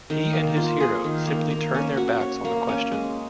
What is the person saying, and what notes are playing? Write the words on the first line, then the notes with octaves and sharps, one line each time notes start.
He and his hero simply turn their backs on the question.
D#3
A#3
F4
G#4
D#3
A#3
A#3
C#4
F#4
C#5
A#3
C#4
G#3